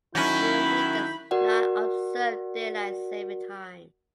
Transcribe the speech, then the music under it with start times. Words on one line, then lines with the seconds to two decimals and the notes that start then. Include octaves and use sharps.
Burundi does not observe daylight saving time.
0.15 D#3 F#3 C#4 E4 B5 G6
1.31 F#4 A#4 D5 F#5